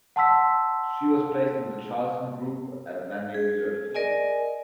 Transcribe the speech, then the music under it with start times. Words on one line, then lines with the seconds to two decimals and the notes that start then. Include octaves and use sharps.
She was placed in the Charleston Group, Atlantic Reserve Fleet.
0.16 F#5 A5 C6 E6 B6
3.34 G#4
3.94 A#4 D5 D#5 G#5